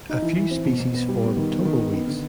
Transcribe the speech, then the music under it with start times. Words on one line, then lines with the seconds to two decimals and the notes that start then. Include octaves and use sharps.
A few species form tumbleweeds.
0.09 D#4
0.22 E3
0.38 E3
0.51 C4
0.65 B2
0.80 B2
0.94 B3
1.09 G3
1.23 B3
1.37 D#3
1.51 B3
1.65 D#3
1.79 B3
1.94 B3
2.07 D3